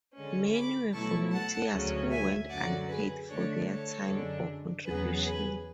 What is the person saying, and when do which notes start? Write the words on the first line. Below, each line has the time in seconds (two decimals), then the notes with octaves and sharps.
Many were volunteers who went unpaid for their time or contribution.
0.14 D3 G#3 C#4
0.53 B5 D6
0.93 B2 F#3 A3 E4 A5 C#6
1.32 F#5 A5
1.71 D2 C#3 F#3 C#4
2.10 E5 G#5
2.49 F#2 D3 F#3 D5 F#5
2.88 G#4 B4
3.28 D3 A3 D4 A4 C#5
3.67 A4 C#5
4.07 F#2 D3 G#3 D4
4.85 E2 C#3 F#3 B3 G#4 B4
5.25 G#4 B4